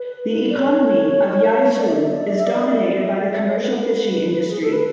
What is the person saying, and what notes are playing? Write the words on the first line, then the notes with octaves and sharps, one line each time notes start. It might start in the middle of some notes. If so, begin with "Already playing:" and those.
The economy of Yaizu is dominated by the commercial fishing industry.
Already playing: B4
D5
C#5
D5
E5
D5
E5
D5
E5
D5
E5
D5
E5
D5
E5
D5
E5
D5
E5
C#5
A4
B4
G#4
A4
B4